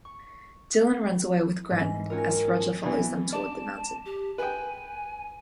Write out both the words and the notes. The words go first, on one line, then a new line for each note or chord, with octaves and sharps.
Dylan runs away with Gren as Roger follows them toward the mountain.
C#6
G#2 E3
C4 C#4 F4 F#4 A#4
B2 E3
D5 A5
G4
B4 G5 G#5